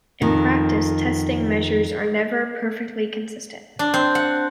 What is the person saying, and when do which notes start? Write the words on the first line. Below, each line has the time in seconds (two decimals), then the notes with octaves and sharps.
In practice, testing measures are never perfectly consistent.
0.22 F2 D#3
3.79 D4
3.94 C4
4.15 F#5